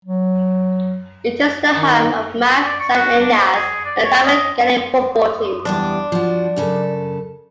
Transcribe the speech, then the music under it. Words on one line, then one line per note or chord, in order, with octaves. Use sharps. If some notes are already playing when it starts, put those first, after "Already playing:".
It is the home of Omagh Saint Enda's and the Tyrone Gaelic football teams.
F#3
D#3
D5
C#6
F#4
D4
C5
G#4
D5
C#5
D#5
E2 G3 D4 D5
F3 F#4
F#2 C#3 A4